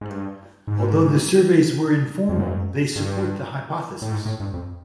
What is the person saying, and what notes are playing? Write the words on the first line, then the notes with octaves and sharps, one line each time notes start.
Although the surveys were informal, they support the hypothesis.
G#2
G2
G#2
F2
F#2
G2
A2
G#2
A2
G2
F2